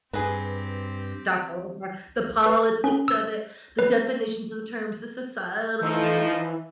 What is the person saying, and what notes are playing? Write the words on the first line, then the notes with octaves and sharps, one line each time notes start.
stuff all the time. The politics of it, the definitions of the terms, the societal
G2 C4 G4 G#4 B4
B4
C#4
E6
B4
E3 F3 D#4